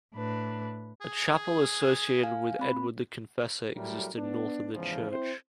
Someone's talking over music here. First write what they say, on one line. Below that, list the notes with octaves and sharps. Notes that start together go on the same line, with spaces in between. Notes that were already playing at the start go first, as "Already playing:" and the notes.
A chapel associated with Edward the Confessor existed north of the church.
A2 D4 B4
G#4
F5 G#5
C4 B5
A2 F#3 G3 A3 A#4
B3 D4
E2 G#2 C#3 F3
C4 E4 C5